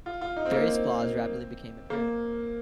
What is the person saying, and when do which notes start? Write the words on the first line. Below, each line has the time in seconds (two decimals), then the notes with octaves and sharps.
Various flaws rapidly became apparent.
0.06 F4
0.21 F4
0.37 D#4
0.46 C4
0.52 A#3
0.67 C4
1.90 A#3